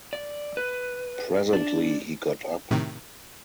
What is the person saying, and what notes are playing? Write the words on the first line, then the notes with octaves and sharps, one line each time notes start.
Presently he got up.
D5
B4
D4
A2 C3 D#3